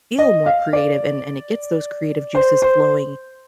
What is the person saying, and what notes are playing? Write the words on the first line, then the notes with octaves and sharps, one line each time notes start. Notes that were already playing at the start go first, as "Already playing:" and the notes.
feel more creative, and and it gets those creative juices flowing
D#5
F5
D5
C5
C5